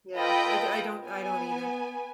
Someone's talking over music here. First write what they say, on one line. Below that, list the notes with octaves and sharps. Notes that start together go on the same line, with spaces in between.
Yeah, I d I don't I don't either
F4 A4 B4 D#5 G5 B5
B3 G#5